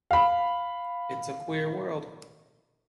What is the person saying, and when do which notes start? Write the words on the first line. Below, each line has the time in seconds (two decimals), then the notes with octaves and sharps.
It’s a queer world.
0.11 F5 B5